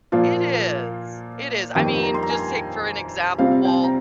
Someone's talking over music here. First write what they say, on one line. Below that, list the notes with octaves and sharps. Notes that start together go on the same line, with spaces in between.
It is, it is I mean, just take for an example,
A#2 F3 A#3 F4 F5
F2 D#3 G3 A#3 G5
A#5
C6
A#5
G#5
C3 G3 C4 F4 F5
G5
A#5